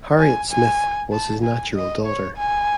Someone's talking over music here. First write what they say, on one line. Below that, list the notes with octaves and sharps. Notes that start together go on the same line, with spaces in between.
Harriet Smith was his natural daughter.
G#5
G#5
A5
G#5
D#5
C#5
G#5